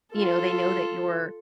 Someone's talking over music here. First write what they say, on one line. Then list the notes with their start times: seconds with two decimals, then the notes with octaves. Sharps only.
you know, they know that you're,
0.12 F4 A4